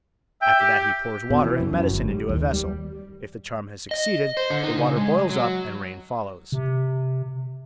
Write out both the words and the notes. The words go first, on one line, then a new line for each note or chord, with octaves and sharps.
After that he pours water and medicine into a vessel; if the charm has succeeded, the water boils up and rain follows.
E5 G5
G4
B2
E3
F#2
F#2
G1
G3
D#2
G3
D#5
C5
D3
D#4
C#3
G#3
F#3
C3